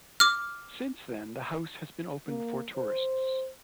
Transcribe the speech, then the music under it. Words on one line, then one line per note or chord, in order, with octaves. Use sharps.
Since then, the house has been open for tourists.
D6 F6
A#3
C5